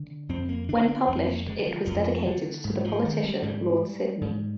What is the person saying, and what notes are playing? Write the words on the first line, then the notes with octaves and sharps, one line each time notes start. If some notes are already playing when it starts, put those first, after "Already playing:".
When published it was dedicated to the politician Lord Sydney.
Already playing: D3
F2 C4
A#3
D3 D4
D4
F2 C4
A#3
D3 G#3
F3
F2 F3
D3
G#2
F3
D#3
G3
G#2 G3
G#2